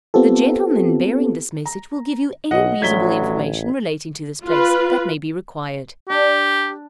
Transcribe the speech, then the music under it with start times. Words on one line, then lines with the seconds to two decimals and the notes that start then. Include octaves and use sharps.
The gentlemen bearing this message will give you any reasonable information relating to this place, that may be required.
0.14 B3 C4 F4 G4 A4
1.66 A#5
2.51 B1 D#5 F#5
2.82 A1 A2 D3 F#3 G#6 B6 G7
4.44 F4 B4
6.10 D4 G4